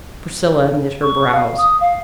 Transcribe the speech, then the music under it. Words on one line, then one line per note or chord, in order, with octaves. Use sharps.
Priscilla knit her brows.
C#6
F5
D#6
F5